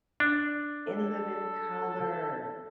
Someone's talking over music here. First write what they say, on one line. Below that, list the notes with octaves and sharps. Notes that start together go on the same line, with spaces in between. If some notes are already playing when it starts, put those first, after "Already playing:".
In Living Color.
D4
A4